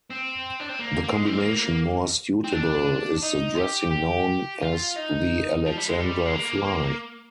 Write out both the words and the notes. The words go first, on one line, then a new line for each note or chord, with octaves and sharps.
The combination more suitable is the dressing known as the Alexandra fly.
C4
D4
C4
A#3
A#3
G#3
C4
A#3
C4
D4
D#4
G4
G4
F4
D#4
F3
G3
G#3
G3
G#3
A#3